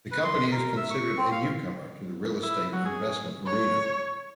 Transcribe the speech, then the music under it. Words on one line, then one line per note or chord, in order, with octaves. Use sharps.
The company is considered a newcomer to the real-estate investment arena.
B4
C6
A#4
E5
C#6
C4
F5
E4
F#3
G#4
C#5